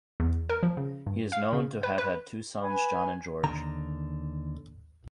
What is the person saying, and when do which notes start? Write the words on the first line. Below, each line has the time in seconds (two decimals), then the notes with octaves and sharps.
He is known to have had two sons John and George.
0.20 E2
0.49 A#4
0.63 F3
0.77 C#3
1.07 G2
1.32 F5
1.53 C#3
1.83 B4
1.98 B4
2.62 B4 G#5
3.44 D#2 D3 A#5